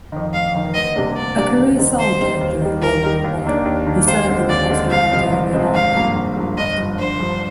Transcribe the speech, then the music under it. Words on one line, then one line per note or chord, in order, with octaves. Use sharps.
A career soldier, during World War One, he served in the Austro-Hungarian Army.
F2 D#3
F1 F5
F2 D#3
D2 D#5
C3 G3 A#3 D4
D2 D5
C3 G3 A#3 D4
D#2
D#3 G3 C4
D#2 C5
D#3 G3 C4
D#2
D#3 G3
D#2 A#4
D#3 G3
D#2
D#3 A#3 D4
D#2
D#3 A#3 D4
D#2 C5
D3 G#3 C4
D#2 D5
D3 G#3 C4
C2 F5
C3 F3 G#3 C4
C2
C3 F3 G#3 C4
G#1 F5
G2 F3 A#3
G#1
G2 F3 A#3
G1 D#5
G2 F3
G1 C5
G2 F3